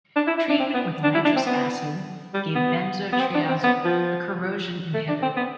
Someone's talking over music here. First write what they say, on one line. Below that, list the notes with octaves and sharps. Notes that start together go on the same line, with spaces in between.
Treatment with nitrous acid give benzotriazole, a corrosion inhibitor.
D4
E4
E4
D4
C4
B3
D4
E4
D4
C4
B3
G3
B3
B3
C4
D4
C4
B3
F3
A3
D4
C4
B3